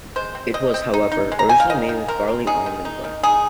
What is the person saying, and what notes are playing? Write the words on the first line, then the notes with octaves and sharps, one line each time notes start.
It was, however, originally made with a barley-almond blend.
G#3 C5
C4
C4 D#5
C4
D#4
D#4
G#3
A#5
C4 G#5
F5
D#3 D#5
D#3
C4 A#4
C4
D#4 G#4
D#3
D#4
D#3
D#4 G#4